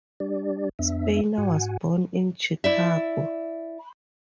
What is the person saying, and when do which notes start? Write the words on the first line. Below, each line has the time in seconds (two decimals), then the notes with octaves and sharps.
Spanier was born in Chicago.
0.20 G3 D4 G4 D5
0.79 F2 B3 D4 E5
1.38 G#2 F#4 F#5 G#5
2.64 E4 D5 E5